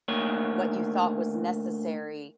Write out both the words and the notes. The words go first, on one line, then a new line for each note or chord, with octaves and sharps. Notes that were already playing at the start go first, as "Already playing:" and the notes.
what you thought was necessary,
D2 A#3 C#5